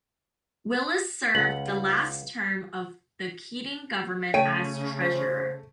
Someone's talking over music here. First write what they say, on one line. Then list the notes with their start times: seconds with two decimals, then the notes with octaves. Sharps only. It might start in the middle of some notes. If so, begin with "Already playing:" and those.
Willis served the last term of the Keating government as Treasurer.
1.35 C#2 F5 F#5 F#7
4.34 C#3 A3 C#5 G5 D#7
5.02 C5